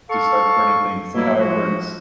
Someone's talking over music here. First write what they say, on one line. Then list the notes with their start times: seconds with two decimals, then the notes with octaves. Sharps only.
Just start turning things to see how it works.
0.10 A4 F5 C#6
1.15 B2 F#3 G3 A#3 E4
1.39 F3 G#3 F#4